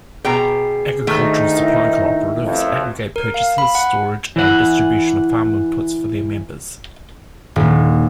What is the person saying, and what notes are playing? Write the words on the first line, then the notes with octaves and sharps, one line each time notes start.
Agricultural supply cooperatives aggregate purchases, storage, and distribution of farm inputs for their members.
B2 G#4 G5 A#5 C7
D2 D#3 A3 D#4
E4 A#4 E5
A1 F2
A#4
F5
B5
F#5
E3 F#5
D#1